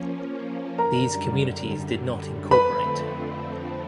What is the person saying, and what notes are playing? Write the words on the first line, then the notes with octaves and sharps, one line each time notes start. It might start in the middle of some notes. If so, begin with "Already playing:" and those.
These communities did not incorporate.
Already playing: F3 A#3 C#4
F#2 D3 G3 A#4 A#5
F2 D3 F3 A3 C4 B4 B5